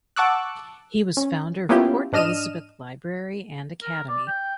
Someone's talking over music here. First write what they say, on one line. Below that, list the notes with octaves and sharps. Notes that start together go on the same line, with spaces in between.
He was founder of Port Elizabeth Library and Academy.
F#5 A5 C#6 D6 E6 F#6
C#4
A#3 B3 C#4 E4 F4 G4
G#2 D4 D#5 F6 D#7 E7
A#4
D5
G5